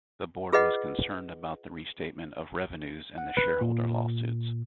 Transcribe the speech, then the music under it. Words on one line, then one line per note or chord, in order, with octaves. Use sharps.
The board was concerned about the restatement of revenues and the shareholder lawsuits.
F4 G#4 B4 D#5 F#5
F#5
B4
A#2